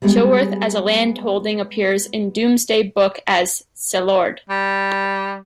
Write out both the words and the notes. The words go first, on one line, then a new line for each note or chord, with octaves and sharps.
Chilworth as a landholding appears in Domesday Book as "Celeorde".
G3 G#3 B3 G4 G#4
G3